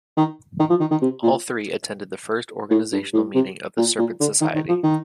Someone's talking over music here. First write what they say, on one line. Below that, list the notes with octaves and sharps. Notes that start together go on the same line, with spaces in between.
All three attended the first organizational meeting of the Serpent Society.
D#3
D#3
F3
D#3
D#3
C3
A#2
A2
G2
A2
C3
A#2
A#2
D3
D#3
D#3
F3
D#3